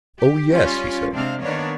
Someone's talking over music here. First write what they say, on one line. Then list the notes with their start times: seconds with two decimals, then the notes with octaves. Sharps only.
"Oh, yes!" he said.
0.19 G4
0.53 G3 C#4 F4
1.13 C3 G#3 C4 D4 F5
1.41 D#3 A#3 B3 D4 C#5